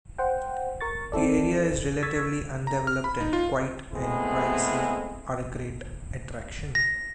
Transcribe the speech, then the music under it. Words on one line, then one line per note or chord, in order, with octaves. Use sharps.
The area is relatively undeveloped and quiet and privacy are a great attraction.
C5 F#5 G5
A#4 C#6 A6
C4 E4 A4 D5
C#6 E6 G#6 A6 B6
A#5
F6
B5
D#4
F4
G#3 A3 B3 C4 E4 G#4
A#6